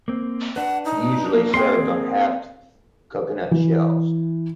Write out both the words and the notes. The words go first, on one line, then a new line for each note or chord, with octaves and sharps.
Usually served on halved coconut shells.
A#3 C4
D4 B4 F#5
D#4
A#3
C4 G#4 A#4 D5 G5 C6
E3